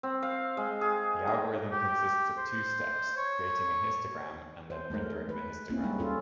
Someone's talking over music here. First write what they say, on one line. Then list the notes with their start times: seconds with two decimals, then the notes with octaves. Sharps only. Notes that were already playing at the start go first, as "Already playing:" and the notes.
The algorithm consists of two steps: creating a histogram and then rendering the histogram.
0.03 C4
0.23 F5
0.57 G#3
0.81 G#4
1.27 D#3
1.72 G4
2.38 C5
3.17 C#5
4.70 C5
4.90 G#3 A3 D#4 A#4
5.29 B4
5.70 A#3 C4 C#4 E4
5.84 G3 G#3 D#4
5.99 C#4 F4 A4